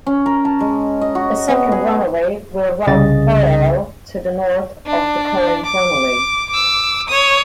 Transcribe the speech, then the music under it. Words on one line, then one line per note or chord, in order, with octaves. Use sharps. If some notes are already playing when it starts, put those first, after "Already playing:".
A second runway will run parallel to the north of the current runway.
C#4
A#4
A5
G#3
D#5
F#4
B3
G#4
C2 C#3 G#4 D#5 A6
D4
D6
D6 E6
C#5 D#6